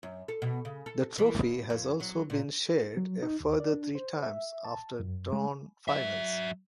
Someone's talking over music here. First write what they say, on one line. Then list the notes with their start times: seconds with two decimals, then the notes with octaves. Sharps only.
The trophy has also been shared a further three times after drawn finals.
0.03 F#2
0.28 A4
0.42 B2
0.65 C#3
0.86 A4
1.18 E3
1.35 D#2
1.70 F2
2.00 F#3
2.30 A#2
2.97 F#3
3.23 D#4
3.40 D#2
3.60 D5
3.74 D4
3.95 C5
4.23 E5
4.64 A5
5.00 F#2
5.33 G#3
5.88 F#3 E5